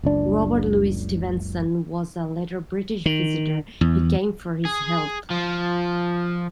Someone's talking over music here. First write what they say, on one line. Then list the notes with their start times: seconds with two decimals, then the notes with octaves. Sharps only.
Robert Louis Stevenson was a later British visitor who came for his health.
0.03 F#1 C#2 D4
3.06 D#3
3.81 E2
4.65 G#4
5.31 F3